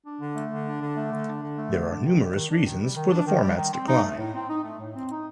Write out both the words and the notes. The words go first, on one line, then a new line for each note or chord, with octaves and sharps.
There are numerous reasons for the format's decline.
D4
D3
A3
D3
D4
D3
A3
D3
D4
D3
A3
D3
D4
D#3
G3
D#3
D4
D#3
G3
D#3
D4
D#3
G3
D#3
C4
D#4
A3
A2
C4
D#4
A3
A2
C4
D#4